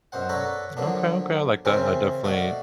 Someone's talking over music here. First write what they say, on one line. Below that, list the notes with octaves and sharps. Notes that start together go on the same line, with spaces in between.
Okay, okay, I like that. I definitely
F#2 B2 C5 F#5
A4 B4 C#5 D5 F#5 A#5
D3 F3 F#3 A#3 B3 D4
C#3 E3 C4 C#4 A#4 C5
B2 A3 F#4 D5 F5